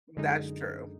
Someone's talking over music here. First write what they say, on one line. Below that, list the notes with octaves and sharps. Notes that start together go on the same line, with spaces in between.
that's true.
F#2 D3 G#3 D#4